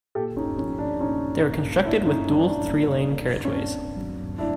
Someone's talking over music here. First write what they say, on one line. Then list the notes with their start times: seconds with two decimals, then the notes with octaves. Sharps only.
They were constructed with dual three-lane carriageways.
0.15 A#2 G4 A4
0.37 C#4 D#4
0.58 F3 C#4
0.79 D4
1.00 A#2 C#4 D#4
1.42 A#3
1.84 A#2 D4 E4
2.06 C#4 D#4
2.27 G3 D4
2.48 D4
2.69 A#2 D4
3.11 A#3
3.45 C#4
3.53 C4 D4
3.96 F#3
4.38 A2 D4 E4